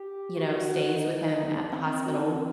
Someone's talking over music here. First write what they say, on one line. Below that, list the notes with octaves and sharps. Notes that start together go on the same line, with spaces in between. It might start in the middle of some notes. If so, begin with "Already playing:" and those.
you know, stays with him at the hospital
Already playing: G4
F#4
D#4
D4
C4
C4
F#4
D#4
C4